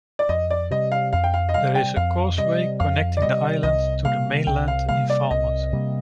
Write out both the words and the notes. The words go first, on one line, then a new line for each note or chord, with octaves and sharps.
There is a causeway connecting the island to the mainland in Falmouth.
D5
F2 D#5
D5
C3 G3 D#5
F5
F2 F5
G5
F5
D#5
C3 G3 F5
G5
F2 F5
C3 G3 D#5
F2 F5
D5
C3 G3 D#5
C2 D#5
C3 G3 A#3 F5
C2 G5
F5
C3 G3 A#3 F5
D5
C2 D#5
C3 G3 A#3